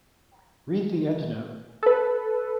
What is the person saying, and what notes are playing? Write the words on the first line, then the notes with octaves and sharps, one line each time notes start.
Read the endnote.
A4 B4